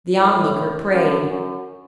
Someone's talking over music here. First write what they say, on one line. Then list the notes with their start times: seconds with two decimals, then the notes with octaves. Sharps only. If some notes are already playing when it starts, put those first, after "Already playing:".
The Onlooker prayed.
0.16 A2
0.92 F#2
1.29 F#2